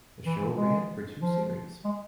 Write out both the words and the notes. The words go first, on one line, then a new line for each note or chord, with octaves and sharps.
The show ran for two series.
E3
G#3
F3
G#3